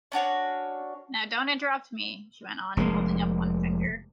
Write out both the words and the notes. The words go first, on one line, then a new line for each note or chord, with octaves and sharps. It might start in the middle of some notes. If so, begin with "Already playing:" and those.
Now don’t interrupt me!’ she went on, holding up one finger.
C#4 D4 F#4 C#5
F1 G#3 A#3